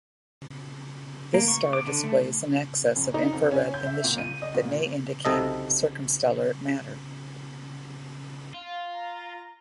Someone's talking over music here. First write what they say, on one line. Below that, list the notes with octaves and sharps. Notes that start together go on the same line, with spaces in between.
This star displays an excess of infrared emission that may indicate circumstellar matter.
A#3
C#6
D6
D3
A3
F#2
D#4
F2
C#4
G6
E5
A#2
D#7
D#5
A#2
B1 C3 A4 D#5
F4 F5
A#5